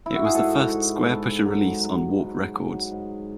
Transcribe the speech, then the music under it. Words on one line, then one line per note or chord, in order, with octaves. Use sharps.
It was the first Squarepusher release on Warp Records.
E4
F#4
G#4
G#2 A4
G#2
G#2 A4
F#3
F#3
G#2
F#3
G#2